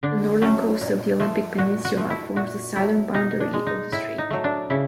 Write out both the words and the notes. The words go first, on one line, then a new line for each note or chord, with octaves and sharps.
The northern coast of the Olympic Peninsula forms the southern boundary of the strait.
D3 D4
F#3 A3 C#4
A#2
F3 A3
A#2 F#4
F#4
F3 A3
E4
A#2 F#4
F#3 A3 E4
B2 D#4
D4
G#3
D#4
A2 E4
D#4
F#3 A3
D4
C#3 E4